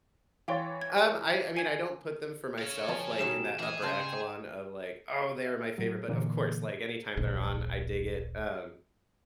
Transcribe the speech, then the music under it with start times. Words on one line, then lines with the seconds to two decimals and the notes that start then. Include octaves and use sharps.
Um, I I mean, I don't put them for myself, like, in that upper echelon of like, "Oh, they're my favorite," but of course, like, anytime they're on, I dig it, um
0.48 E3 C#5 F5 G5 C6 A6
0.81 G#6
1.57 G#5 G#6
2.58 C#5 F5
2.88 F3 G4 A4 G#5
3.19 B2 D#3 G3 E7
3.59 E3 G#4 D#5
3.82 C#3 C5 G5 A5
5.46 E5
5.78 A2 F#3
6.08 A#2 D3 E3 A#3
7.17 D1 A#1